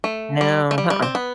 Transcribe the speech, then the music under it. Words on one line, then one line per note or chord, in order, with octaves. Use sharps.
No, uh-uh.
A3
G3
A3
G3
G3
C4
B3